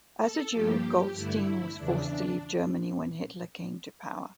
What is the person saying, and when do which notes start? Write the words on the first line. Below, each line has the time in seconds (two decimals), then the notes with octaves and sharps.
As a Jew, Goldstein was forced to leave Germany when Hitler came to power.
0.20 A4
0.51 G2 F3 A#3 G4
1.14 G2 D3 A3 E4
1.76 E2 C#3 E3 D4